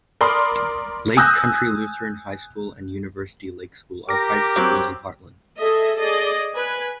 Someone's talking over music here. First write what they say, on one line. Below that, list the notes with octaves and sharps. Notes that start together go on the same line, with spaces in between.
Lake Country Lutheran High School and University Lake School are private schools in Hartland.
A#4 D5 B5 C6 D#6 F6
G#5 D#6 E6 F#6 G6 A#6
G4 A#4 D6 A#6
F#3 C4 D6
G#4 A4 D#5 E5
G#4 D5 D#5
B4 G#5